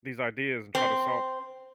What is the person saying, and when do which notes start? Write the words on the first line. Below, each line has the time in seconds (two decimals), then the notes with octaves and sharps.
these ideas and try to solve
0.75 C4